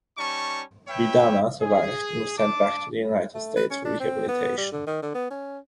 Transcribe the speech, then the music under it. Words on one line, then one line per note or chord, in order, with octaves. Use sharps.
Vidana survived and was sent back to the United States for rehabilitation.
G3 C#4 D#4 A5 C#6
B4 C#5 E5 G5
G#4
D4 A5 D6
A3
B4
C#4
D4
C4
B3
G3
D3
D#3
D3
B3
C#4